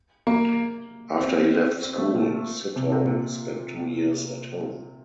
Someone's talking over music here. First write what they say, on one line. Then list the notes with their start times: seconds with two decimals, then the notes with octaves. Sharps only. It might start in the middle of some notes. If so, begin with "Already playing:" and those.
After he left school Sithole spent two years at home.
0.27 A#3
1.20 C4
1.83 C4
1.98 A3
2.14 A#2
2.76 C3
2.92 C3
3.07 A#2